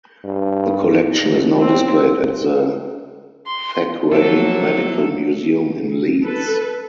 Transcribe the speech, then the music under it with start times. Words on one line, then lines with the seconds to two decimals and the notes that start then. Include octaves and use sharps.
The collection is now displayed at the Thackray Medical Museum in Leeds.
0.24 G2
1.18 F1
1.60 C4
3.47 C6
4.12 F3 F#3 A#3 C4 E4 A4
6.24 A4 B4